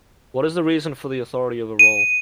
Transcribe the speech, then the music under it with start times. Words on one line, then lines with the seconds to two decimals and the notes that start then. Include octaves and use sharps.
What is the reason for the authority of her role?
1.79 D#7